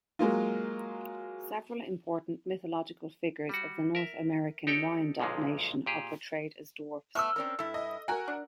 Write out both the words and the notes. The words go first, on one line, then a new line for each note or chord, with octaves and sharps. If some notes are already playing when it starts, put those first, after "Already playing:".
Several important mythological figures of the North American Wyandot nation are portrayed as dwarfs.
F#3 G#3 A#3 F4
G3 F#4
A#4 E5
D#4 G4 A4 C#5 D5 G5
B1 A#2 D3 F3 G#3
A#2 G4 G#4
A3 B3 E6 F6
C4 C#4 A#4 D5 A#5
G2 E4 A4
D#5
F#4 A#4 F#5 G#5
D4